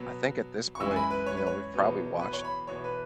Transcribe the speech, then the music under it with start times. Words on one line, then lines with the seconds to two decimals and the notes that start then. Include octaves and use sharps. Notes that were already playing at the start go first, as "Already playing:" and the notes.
I think at this point, you know, we've probably watched
Already playing: B2 F#3 B3
0.75 C#6
0.80 F#2 E3 G#3 E6
0.91 G#5
0.96 B5
1.11 B4
1.26 C#5
1.37 B4
1.46 C#5
1.74 E2 B2 F#3 B3
2.20 B4
2.33 C#5
2.45 B5
2.67 E2 B2 B3 C#5
2.84 B4